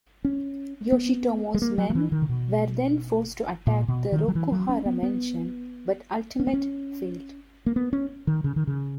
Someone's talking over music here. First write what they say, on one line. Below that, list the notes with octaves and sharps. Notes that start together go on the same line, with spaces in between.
Yoshitomo's men were then forced to attack the Rokuhara mansion, but ultimate failed.
C#4
B3
G#3
A#3
F#3
F#3
E3
D#3
C#3
B2
A#2
B2
D#3
F#3
E3
F#3
C#4
B3
B3
C#4
B3
C#4
A#3
B3
C#4
D#3
C#3
D#3
C#3